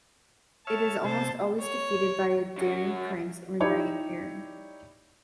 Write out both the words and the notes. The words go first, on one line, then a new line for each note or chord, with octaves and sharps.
It is almost always defeated by a daring prince or knight-errant.
C#5 E5 A5 F6
C3 C5 A5
C#5
F#2 F#4
D#4 E4 G4 C#5 D5